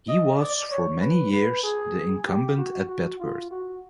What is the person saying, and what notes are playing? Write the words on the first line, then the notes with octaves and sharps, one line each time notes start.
He was for many years the incumbent at Bedworth.
D#5
D5
C#5
B4
B4
G#4
G4
F#4
F#4
F4
F#4